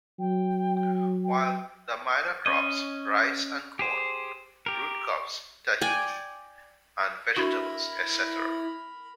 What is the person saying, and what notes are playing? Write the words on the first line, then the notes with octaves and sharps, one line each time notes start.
While the minor products, rice and corn, root crops, Tahiti and vegetables, etc.
F#3 G5
G5
C#4 D#5
G4 G#4 C5
G4 A#4
D5 G5 G#5
D4 E4 F#4 A#4 B5 C#6